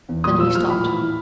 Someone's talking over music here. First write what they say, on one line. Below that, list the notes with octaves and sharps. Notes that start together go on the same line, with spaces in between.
Then he stopped.
E2
A#2 D#6
F3 E6
A#2 F6
A2 B5
E3
A2